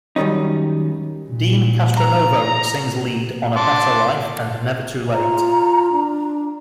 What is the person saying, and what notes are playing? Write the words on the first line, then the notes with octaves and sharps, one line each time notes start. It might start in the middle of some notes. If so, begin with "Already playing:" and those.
Deen Castronovo sings lead on "A Better Life" and "Never Too Late".
F#2 D#3 G3 C#4 D#4
A#2
A#5
A5 C6 D6
F4 A#5
D4